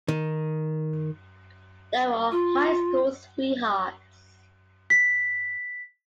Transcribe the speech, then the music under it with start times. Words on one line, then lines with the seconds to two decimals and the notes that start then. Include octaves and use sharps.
They were high school sweethearts.
0.08 D#3
2.31 F4
4.90 B6